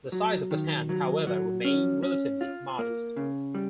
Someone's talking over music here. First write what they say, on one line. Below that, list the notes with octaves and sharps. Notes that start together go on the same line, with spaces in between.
The size of the town, however, remained relatively modest.
F#3
D#3
F#3
F#3
C#4
C#4
F4
A#3
C#3
G3